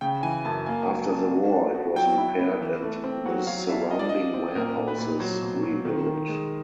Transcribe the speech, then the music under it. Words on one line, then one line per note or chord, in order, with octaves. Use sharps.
After the war, it was repaired and the surrounding warehouses rebuilt.
C#3 G5
E3 G#5
F#2 A5
A#3 G#5
F#3
D4
F#4
D4
F#4
F#3 G5
E4
B3
E3
A3
C4
F#3 F#5
F#3 F5
D4 E5
F4 D#5
D5
D#5
F4
C4
A#2 A#4
A#2
B4
A#2
F#3 C5
B2
F#3
D#3
D#3
G#3